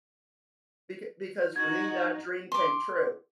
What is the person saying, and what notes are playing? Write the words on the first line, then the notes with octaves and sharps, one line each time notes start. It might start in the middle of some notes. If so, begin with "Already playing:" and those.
beca because for me that dream came true.
D#4 F#4 G#6
C6 D6